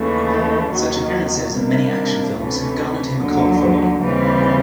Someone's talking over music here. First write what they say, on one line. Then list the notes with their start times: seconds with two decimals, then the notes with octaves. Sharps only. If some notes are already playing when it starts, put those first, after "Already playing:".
Such appearances in many action films have garnered him a cult following.
Already playing: D#2 C#3 E3 A3
0.68 D#2 D#3 F#3
1.52 C3 D#3 G3 A#3 D4
2.35 D2 C3 E3 A3 C#4
3.18 D#2 D3 F#3
4.01 D#2 C#3 E3 G3 C4